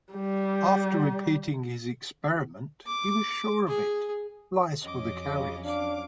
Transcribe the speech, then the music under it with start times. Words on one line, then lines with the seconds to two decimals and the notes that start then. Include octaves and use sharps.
After repeating his experiment he was sure of it: lice were the carriers.
0.13 G3
2.86 D6
3.67 G#4
4.82 F2 F#3 C#4 D#5 D6
5.25 C#3
5.64 D4 F5 D6